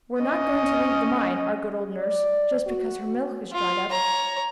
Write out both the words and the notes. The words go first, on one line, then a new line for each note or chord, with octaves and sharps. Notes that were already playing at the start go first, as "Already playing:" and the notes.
We're not going to leave the mine, our good old nurse, just because her milk is dried up!
C#4 D#5
D5
F#4
F4
C#5 A#5